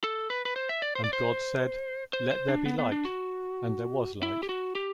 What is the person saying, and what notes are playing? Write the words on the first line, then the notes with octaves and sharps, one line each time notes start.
And God said, 'Let there be light,' and there was light.
A4
B4
B4
C5
E5
D5
C5
D5
C5
C5
C5
D4
B3
B3
D4
F#4
E4
G4
F#4
G4